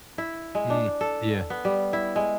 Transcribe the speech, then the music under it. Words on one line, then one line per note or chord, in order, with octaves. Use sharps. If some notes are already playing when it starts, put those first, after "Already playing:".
Mm, yeah.
E4
G#3
D4
A4
B3
G3
E4
G#3